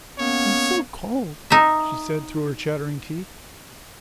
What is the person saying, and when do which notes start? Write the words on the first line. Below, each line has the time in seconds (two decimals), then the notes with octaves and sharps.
"I'm so cold!" she said through her chattering teeth.
0.19 A#3 B3 C#4 C#5
1.50 D#4 E5